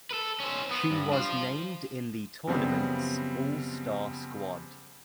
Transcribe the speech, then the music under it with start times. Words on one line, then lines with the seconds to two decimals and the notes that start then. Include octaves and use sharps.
She was named in the Tournaments All Star squad.
0.11 A4 B4
0.40 C#4 C5
0.71 B3
0.91 G2
1.13 F4 C5
2.47 F#2 C#3 F3 G3 B3 C4